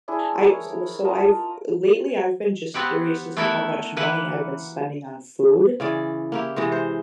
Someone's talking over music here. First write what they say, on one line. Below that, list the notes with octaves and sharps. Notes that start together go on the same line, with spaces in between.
I wa s so I've lately I've been just curious as to how much money I've been spending on food,
D4 E4 G#4
A#4 C#5
F4 A#4 D#5 A5
B3 C4 G4 F#5
A3 B3 E4 A#4 E5 F#5
E3 A#3 B4 F#5
C#3 E3 D5
A#3 E4 G4
C3 E3 G#3
C5